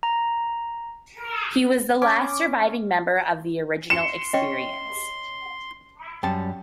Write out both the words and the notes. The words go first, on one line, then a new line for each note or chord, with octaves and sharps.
He was the last surviving member of the original Experience.
A#5
C#4 D6
C6 C#7 E7
C#4 C#5 D#5 G5 C#6
F#2 G3 G5 A5